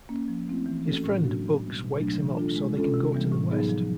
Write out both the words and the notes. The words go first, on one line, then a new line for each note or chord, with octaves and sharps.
His friend Bugs wakes him up so they can go to the West.
A#3 C#4
F3
A3 C4 E4
E3
A3 C#4 F#4 A4
A2
F#3 A#3 D4 F#4
B2
G3 B3
B2
F#3 A3 D4
E3
A3 D4 F4 A4
G#3
C#4 F4 A4
C3
E3 G3 B3
A2
F#3 B3 D#4 G#4
F3